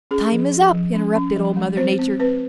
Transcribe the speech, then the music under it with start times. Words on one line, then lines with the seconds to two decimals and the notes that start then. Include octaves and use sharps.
"Time is up," interrupted Old Mother Nature.
0.11 C#4 G#4
0.32 F3
0.53 F3
0.73 F3
0.94 C#4
1.15 C#4
1.36 F3
1.57 G#3
1.77 C4 C5
1.99 C4
2.19 C4 B4